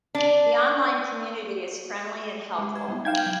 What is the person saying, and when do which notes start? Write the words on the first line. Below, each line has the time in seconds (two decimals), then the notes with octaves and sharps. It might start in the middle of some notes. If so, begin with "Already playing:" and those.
The online community is friendly and helpful.
0.15 D4
2.59 G#3 G4
2.75 B4 G#6
2.88 G3 B3 E4
3.05 D#4 E5 F5 G5 G#6 E7
3.26 F#3